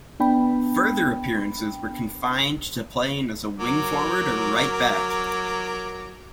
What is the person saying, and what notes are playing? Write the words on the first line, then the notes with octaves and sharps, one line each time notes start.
Further appearances were confined to playing as a wing-forward or right back.
B3 D4 G5 B5
F#3 A#4 D6